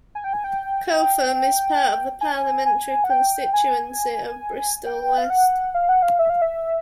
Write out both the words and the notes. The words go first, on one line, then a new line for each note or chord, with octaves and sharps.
Cotham is part of the parliamentary constituency of Bristol West.
G#5
G5
G#5
G5
G#5
G#5
F#5
G5
G#5
G5
F5
F#5
F5
F#5
F5
E5
F5
E5